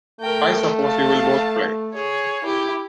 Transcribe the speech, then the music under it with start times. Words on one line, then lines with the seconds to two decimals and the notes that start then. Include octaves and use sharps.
I suppose you will both play.
0.21 A3 A#4 G5
0.81 F5 A5
1.94 G#4 C#5
2.44 E4 G4